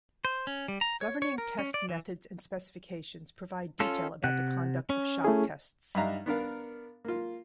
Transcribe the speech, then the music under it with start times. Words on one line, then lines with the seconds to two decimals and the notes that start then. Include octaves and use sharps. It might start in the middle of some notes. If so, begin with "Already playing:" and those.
Governing test methods and specifications provide detail about the conduct of shock tests.
0.25 C5
0.47 C#4
0.68 G3
0.81 A#5
1.01 C#5
1.22 C#5
1.38 A#4
1.59 C#4
1.74 D5
1.89 E3
3.80 C#4 F4 A4
4.24 C3 F#5
4.90 C#4
5.25 A3 E4 G#4
5.95 G2 D4 D#4 E5 F5 A#5
6.26 B3 D4 A#4 F5
7.05 A#3 F4